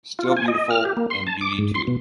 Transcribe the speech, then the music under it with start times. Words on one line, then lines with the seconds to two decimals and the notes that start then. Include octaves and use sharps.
Still beautiful in beauty too.
0.19 F4
0.37 G#5
0.48 D#5
0.71 F6
0.85 G4
0.97 A#3
1.10 C6
1.27 A5
1.41 D6
1.58 G#2
1.74 C6
1.87 B2